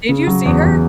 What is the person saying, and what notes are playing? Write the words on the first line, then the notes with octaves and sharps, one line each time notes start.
Did you see her?
C#3
F#3
E2
E2